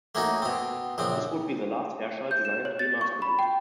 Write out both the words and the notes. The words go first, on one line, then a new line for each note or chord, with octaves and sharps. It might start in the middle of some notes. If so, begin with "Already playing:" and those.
This would be the last Fairchild design to be mass-produced.
A3 A#3 C#4 D#4 F#4
B2 C4
A#1 C#3 C4
G6
E7
C#5
A6
C#6
B5
G5